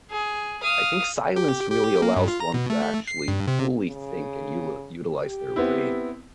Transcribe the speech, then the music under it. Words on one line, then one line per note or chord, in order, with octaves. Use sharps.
I think silence really allows one to actually fully think and u u utilize their brain.
G#4
F5 D#6
G4
G4
A#3
G2
F4
A#5
B2
A3
C7
G2
C3
C#3
G4
B3 C4 E4